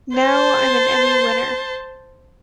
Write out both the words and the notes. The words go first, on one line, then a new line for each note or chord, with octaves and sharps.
Now I'm an Emmy winner.
C5 A5